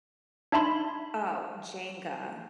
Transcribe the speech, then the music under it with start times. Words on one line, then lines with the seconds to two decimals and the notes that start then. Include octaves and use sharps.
Oh, Jenga.
0.52 D4 D#4 E5 A5 B5 C6